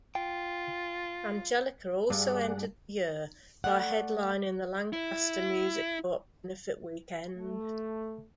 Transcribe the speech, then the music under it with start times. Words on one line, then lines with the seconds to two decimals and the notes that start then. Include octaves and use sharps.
Angelica also ended the year by headlining the Lancaster Music Co-op benefit weekend.
0.15 F4 G5
2.10 G2 G#4 D5 F#5
3.64 A3 D5 F#5
4.93 E4
7.37 A3